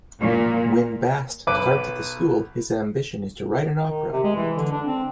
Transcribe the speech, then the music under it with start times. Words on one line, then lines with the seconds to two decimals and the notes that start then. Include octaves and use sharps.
When Bast starts at the school his ambition is to write an opera.
0.20 A#2
1.47 B1 B4 D6
3.87 D#3
4.11 C3
4.23 G#3
4.36 E3
4.56 D3
4.71 D4
4.85 C4